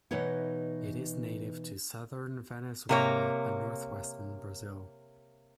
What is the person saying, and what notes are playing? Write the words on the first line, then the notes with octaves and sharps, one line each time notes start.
It is native to southern Venezuela and northwestern Brazil.
B2 E3 D#4 B4 C#5 F#5
C3 A#3 C#5